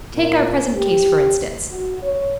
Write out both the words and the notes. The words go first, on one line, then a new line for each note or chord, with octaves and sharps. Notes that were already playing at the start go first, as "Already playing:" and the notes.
Take our present case, for instance.
A#2
G4
F#4
C#5